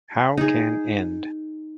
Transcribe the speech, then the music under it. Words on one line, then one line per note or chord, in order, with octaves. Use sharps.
How can end?
D#4 G#4